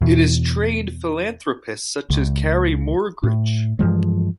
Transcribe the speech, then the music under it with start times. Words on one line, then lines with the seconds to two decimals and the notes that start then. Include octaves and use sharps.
It has trained philanthropists such as Carrie Morgridge.
0.01 E2 B2
2.10 C#2
3.23 A2
3.79 G2 E3 F3 G#3